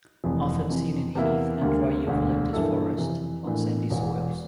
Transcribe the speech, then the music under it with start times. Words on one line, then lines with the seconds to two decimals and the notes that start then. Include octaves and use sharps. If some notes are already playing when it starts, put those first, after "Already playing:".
Often seen in heath and dry eucalyptus forest on sandy soils.
0.24 F1 F2 C3 E3
0.70 F2 C3 E3
1.15 E2 C3 E3 A#3 E4
1.61 D2 D3 G3 A#3
2.07 E1 D2 D3
2.53 G2 E3 A#3 E4 A4
2.98 F2 C3 E3
3.45 A2 E3 A#3 D4
3.90 E1 E2 E3